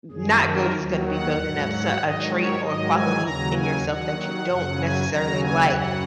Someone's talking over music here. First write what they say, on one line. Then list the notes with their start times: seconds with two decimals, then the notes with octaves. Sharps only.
n not good is gonna be building up s a trait or a quality d in yourself that you don't necessarily like,
0.11 F#2 D#3 F#3 G#4
0.43 A#4
0.73 D#2 D#3 F#3
1.05 F#5
1.36 G#2 F#3
1.98 G#2 D#3 F#3 D#5
2.28 C#5
2.59 G#2 D#3 F#3 D#5
2.91 G#5
3.22 D#2 C#3 F#3 A#5
3.53 G#5
3.84 D#2 D#3 F#3 F#5
4.45 F#2 C#3 F#3
4.77 G#5
5.08 D#2 C#3 F#3 A#5
5.39 G#5
5.70 F#2 C#3 F#3 F#5